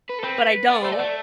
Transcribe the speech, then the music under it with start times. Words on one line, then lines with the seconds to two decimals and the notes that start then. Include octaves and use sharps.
but I don't.
0.10 B4
0.19 A4
0.24 C4 B4
0.69 B3 D5
0.83 A3 C5
0.92 D5
1.00 A3